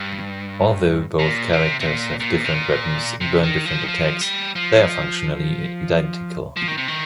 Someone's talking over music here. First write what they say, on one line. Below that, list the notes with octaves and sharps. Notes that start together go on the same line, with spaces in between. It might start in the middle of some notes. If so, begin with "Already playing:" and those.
Although both characters have different weapons and learn different attacks, they are functionally identical.
Already playing: G2
A#2
C3
C3
A#2
A#2
C3
A#2
C3
D#3
F3
D#3
F3
G3
F3
F3
D#3
C3
D#3